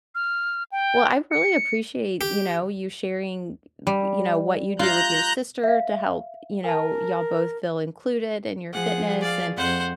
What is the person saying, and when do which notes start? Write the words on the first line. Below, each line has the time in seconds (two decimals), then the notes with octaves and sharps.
Well, I really appreciate, you know, you sharing, y you know, what you do with your sister to help, you know, y'all both feel included in your fitness, and
0.15 F6
0.72 G5
1.31 C#7
2.21 G4
3.87 G3
4.79 F4 F5 A#5 F#6 G6
5.63 E5 F5
6.64 A#4 G#5 A5
8.73 F3 G#4 F#5
9.21 D5 F5
9.57 F2 C5 F#5